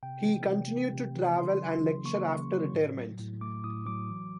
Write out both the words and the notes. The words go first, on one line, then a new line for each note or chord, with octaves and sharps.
He continued to travel and lecture after retirement.
C3 G5
E3
C3
A3
C3
E3
C#3 C6
F#3
C#3
A#3 C#6
C#3
F#3
A2
F#3
A2
A3 D6
A2 D#6
F#3 D6
E3